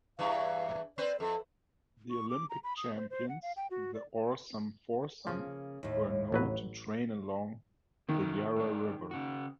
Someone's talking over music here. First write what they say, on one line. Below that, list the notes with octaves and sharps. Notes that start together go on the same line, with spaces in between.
The Olympic champions, the Oarsome Foursome, were known to train along the Yarra river.
E2 G2 E3 F5
C4 B4 C5 D5
F2 A4
C#6
D6
A#5
B5
D#6
C5
C5
F#5
F5
G5
F#4
D5
C#3 F3 A#3
D#2 A2
A1 F#3 B4
C3 D#3 F#4 A4
G#2 D4
C#3 F#4